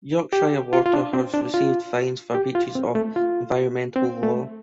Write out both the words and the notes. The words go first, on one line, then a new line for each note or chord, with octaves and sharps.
Yorkshire Water has received fines for breaches of environmental law.
G4
F4
F4
D4
C4
D4
F4
G4
F4
C4
A3
F4
C4
A3